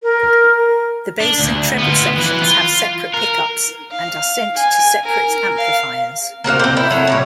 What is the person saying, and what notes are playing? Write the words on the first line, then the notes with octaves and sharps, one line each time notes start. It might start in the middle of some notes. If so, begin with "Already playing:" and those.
The bass and treble sections have separate pickups and are sent to separate amplifiers.
A#4
D4
D2
B3 F4
E3 B4
F4
A#4
F5
G#5
A#4
F5
A#3 C4 F#4 F5
C4 C5
E4
F#3 A3
A#2 G3 C#5